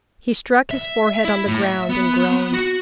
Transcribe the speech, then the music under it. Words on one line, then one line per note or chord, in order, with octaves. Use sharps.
He struck his forehead on the ground and groaned.
E5
E4
A2
E5
B3
F#4